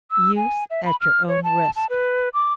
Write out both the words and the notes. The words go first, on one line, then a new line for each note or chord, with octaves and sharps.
Use at your own risk.
E6
G#5
E5
B5
F6
C#5
A5
A5
B4
D6